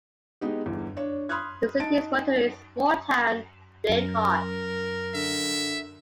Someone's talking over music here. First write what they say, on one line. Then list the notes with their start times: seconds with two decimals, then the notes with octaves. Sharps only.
The city's motto is Small town; Big heart.
0.41 G#3 B3 D#4 G4
0.66 G1 E2
0.97 D4 C#5
1.29 B5 C6 D#6 F6 F#6 G#6
1.80 D#4 A5 A6 D7
3.89 F#2 A#4
5.15 D3 E5